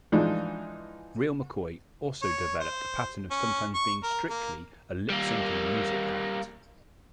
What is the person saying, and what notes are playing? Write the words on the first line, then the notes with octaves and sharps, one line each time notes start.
Real McCoy also developed a pattern of sometimes being strictly a lip-syncing music act.
E3 F3 G#3 D4 D#4
C#5
C5
C#4
C#6
A#4
A#3
G3 A#3